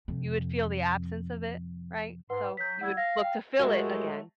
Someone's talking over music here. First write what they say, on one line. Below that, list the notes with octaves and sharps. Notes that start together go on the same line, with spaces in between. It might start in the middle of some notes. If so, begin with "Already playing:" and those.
you would feel the absence of it, right? So, you would look to fill it again.
F2 C3
G#2 B4 F#5 C6
F#3 G6 B6
G3 A3 E4 F#5 E6 G#6
F5 A#6
G5
A2 F#3 G#3 A3 F#4 G4 A#4